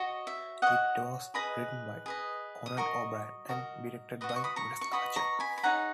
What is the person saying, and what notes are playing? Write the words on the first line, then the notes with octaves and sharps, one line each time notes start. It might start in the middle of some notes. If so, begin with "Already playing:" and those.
It was written by Conan O'Brien and directed by Wes Archer.
Already playing: F#4 C#5 D#5
E5
F#4 C#5 D#5 F#5
G#4 B4 D#5 B5 D#6
G#4 B4 D#5
D#6
F#4 A#4 D#5 A#5 C#6
F#4 A#4 D#5
F#4 B4 D#5
D#6
C#6
B5 D#6
A#5 C#6
C#6
F#4 B4 D#5 B5 D#6
A#5 C#6
G#5 B5
B5
D#4 G#4 C#5 F#5 A#5